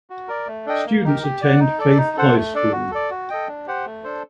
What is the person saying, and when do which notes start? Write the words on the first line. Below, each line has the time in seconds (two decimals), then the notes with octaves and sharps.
Students attend Faith High School.
0.10 F#4
0.28 A#4 D5
0.47 A3
0.66 D4 A4 D#5 G5
0.86 A#3
1.04 D#4 G4 A#4
1.23 G4
1.41 D5 F#5
1.60 D#4
1.79 A4 D5
1.98 D#4
2.17 A4 C5 F#5
2.35 A3
2.54 D4 A4 D5
2.72 F#4
2.91 A4 D5
3.10 F#4
3.29 A4 D#5 G5
3.48 D4
3.67 G4 C5 F#5
3.86 A3
4.04 D4 A4 C5